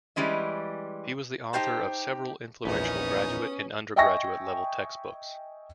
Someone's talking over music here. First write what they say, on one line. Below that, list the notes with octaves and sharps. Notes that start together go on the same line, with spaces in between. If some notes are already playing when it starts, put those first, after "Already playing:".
He was the author of several influential graduate and undergraduate level textbooks.
E3 G3 G#3 C#4 D#5
D#4 G4 C5 A5
A#1 E2 B3 C#4 D#4 D#6
D#5 E5 G5 G#5 C#6 A#6